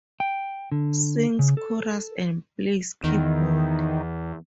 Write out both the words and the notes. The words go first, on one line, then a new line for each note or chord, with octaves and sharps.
Sings chorus and plays keyboard.
G5
D3
C#3
A4
E2 D#3